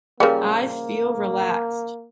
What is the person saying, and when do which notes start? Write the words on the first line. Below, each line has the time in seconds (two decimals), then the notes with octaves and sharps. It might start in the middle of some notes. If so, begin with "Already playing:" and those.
I feel relaxed.
0.20 C#3 F3 G3 A#3 G#4 A#4